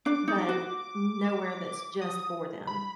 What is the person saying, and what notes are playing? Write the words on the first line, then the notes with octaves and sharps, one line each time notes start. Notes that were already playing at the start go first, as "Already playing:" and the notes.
but n nowhere that's just for them,
D4 D6
D#4
D6
F#4
D#6
B5